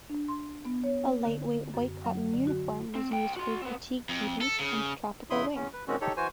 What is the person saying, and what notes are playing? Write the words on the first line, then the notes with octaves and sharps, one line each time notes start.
A lightweight white cotton uniform was used for fatigue duties and tropical wear.
D4
C6
B3
C#5
D3
F#2
F#3
D3
F#4
C4
C2 G5
F#4 C6
C4 B4
F2
A4
C#3
F2 C#3 E4 B5 C6 D#6
E2 C#4
B4
A#2 D#3 G#3 C4 C#4 F#4
D#4 G4 A4 C#5
E3 F#4 C5 G#5